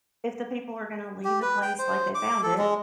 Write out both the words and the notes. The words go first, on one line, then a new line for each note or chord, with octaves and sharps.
if the people are gonna leave the place like they found it.
G4
B4
G5
C5
D6
A4
G#3